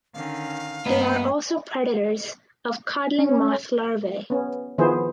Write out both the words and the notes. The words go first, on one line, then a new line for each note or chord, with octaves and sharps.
They are also predators of codling moth larvae.
D3 D#3 C#4 F5
G2 A#3 B3 B4 D#5
C#4
B3 C#4
D#3 F3 B3 E4 G#4 C5